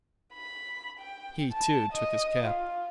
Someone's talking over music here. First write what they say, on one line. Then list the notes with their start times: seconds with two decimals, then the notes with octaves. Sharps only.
He, too, took his cap.
0.34 B5
0.99 G5
1.52 A5
1.93 D#5
2.46 F4